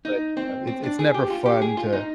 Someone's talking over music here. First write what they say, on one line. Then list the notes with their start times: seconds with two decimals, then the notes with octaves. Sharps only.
But, no, it's it's never fun to
0.05 D#4
0.37 C4
0.67 C4
0.84 D4
0.99 G#4
1.14 G4
1.30 F4
1.46 G4
1.62 G#4
1.77 F4
1.93 D#4